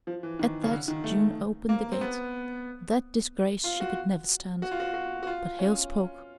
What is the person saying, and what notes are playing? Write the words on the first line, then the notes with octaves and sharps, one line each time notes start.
At that June opened the gate--that disgrace she could never stand--but Hale spoke.
F3
E3
D#3
C#3
D3
D#3
A3
A#3
C4
B3
F4
F#4
F#4
F4
F#4
F#4
F#4
F4
C#4